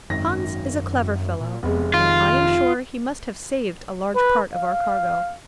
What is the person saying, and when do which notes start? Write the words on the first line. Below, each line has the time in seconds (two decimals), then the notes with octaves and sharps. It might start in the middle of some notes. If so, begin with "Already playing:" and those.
Hans is a clever fellow, and I am sure he must have saved a large part of our cargo.
0.10 G#1 F#2 D#3 A#6
1.40 A#2
1.63 F1 G#3 B3
1.94 D#3 F4
4.15 B4
4.54 F5